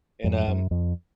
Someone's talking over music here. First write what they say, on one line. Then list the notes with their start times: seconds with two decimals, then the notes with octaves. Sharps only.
and, um
0.24 F2 G#2
0.48 F#2
0.71 F2